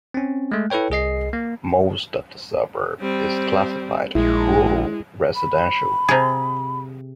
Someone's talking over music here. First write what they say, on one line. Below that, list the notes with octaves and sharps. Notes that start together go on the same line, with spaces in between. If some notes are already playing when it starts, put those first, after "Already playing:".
Most of the suburb is classified "Rural Residential".
C4 C#4
G#3 A3
E4 A4 B4 C#5 G5
C2 G#4 D#5 C7
A#3
G3 C4
A#1 G#3 E4
B5
C3 G#4